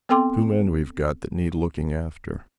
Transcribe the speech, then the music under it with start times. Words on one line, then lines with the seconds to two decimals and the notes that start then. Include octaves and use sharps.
"Two men we've got that need looking after."
0.09 B3 C4 A4 G5 C6 D6